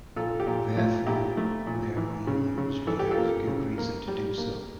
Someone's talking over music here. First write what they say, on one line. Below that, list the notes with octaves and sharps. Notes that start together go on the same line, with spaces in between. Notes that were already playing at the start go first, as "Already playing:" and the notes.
Therefore they are only used when there is a good reason to do so.
A#2 F4 A4
G4
A#2 F4
A3 F4
A#2 E4 G4
A3
A#2
E3
C#3
C#3
E3 A4
G4
F4 A4
A#3
C#3
A#3
G3
A#3